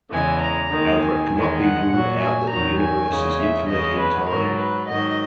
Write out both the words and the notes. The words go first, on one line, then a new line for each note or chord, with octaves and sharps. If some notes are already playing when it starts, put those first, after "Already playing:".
However it can not be ruled out that the Universe is infinite in time.
E2 C#3 E3 G#3 G#5
A#5
D#2 D#3 G#3
G#5
E2 D#3 G#3
F#5
A#2 F#3 F#5
G#5
E2 D#3 F#3 A#5
G#5
E2 C#3 G#3
E5
E2 C#3 G#3 D#5
B4
G#2 F#3 A#4
B4
G#2 D#3 F#3 D#5